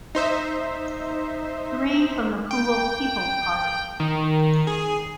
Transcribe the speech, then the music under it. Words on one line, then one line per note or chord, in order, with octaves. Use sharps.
Three from the Poole People Party.
D#4 C5 E5
G5
D#3
G#4